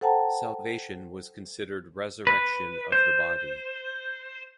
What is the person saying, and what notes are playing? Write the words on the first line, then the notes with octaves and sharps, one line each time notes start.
"Salvation" was considered resurrection of the body.
A4 C5 F#5 G5 A5 A#5
B4
C5